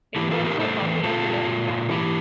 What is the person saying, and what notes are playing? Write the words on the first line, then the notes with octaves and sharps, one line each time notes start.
It is also a popular filler in plastics.
E3 E4 G4
F4 A4
A2
G4 A#4
A2 A4 C5
E3
A#2 F4 A4
A#2
A#2
A#2
E3 E4 G4